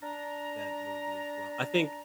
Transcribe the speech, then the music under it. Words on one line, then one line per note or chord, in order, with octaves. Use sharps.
that movie, as well. I think
D4 A#5